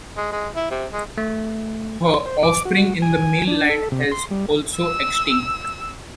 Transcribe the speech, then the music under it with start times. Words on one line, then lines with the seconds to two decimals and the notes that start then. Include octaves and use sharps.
Her offspring in the male line has also extinct.
0.17 G#3
0.32 G#3
0.56 E4
0.71 C3
0.93 G#3
1.18 A3
2.26 C5
2.43 D6
2.65 F#4
3.02 G#5
3.47 D4
3.69 A4
3.92 C3
4.12 C6
4.31 G3
4.77 E6